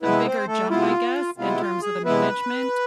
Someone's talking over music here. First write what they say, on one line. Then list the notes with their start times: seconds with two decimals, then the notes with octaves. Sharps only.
a bigger jump, I guess, in terms of the management.
0.03 C3 G#3 B3 E4 B4
0.25 C4 C5
0.47 A3 A4
0.70 C3 G#3 B3 E4 F4
1.37 C3 G#3 B3 E4 F4
1.60 F4
1.82 G#4
2.05 C3 G#3 B3 E4 B4